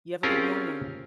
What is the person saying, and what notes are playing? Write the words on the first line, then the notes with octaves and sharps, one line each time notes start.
You have a good morning.
C4 C#4 F4 G4 G#4 A#4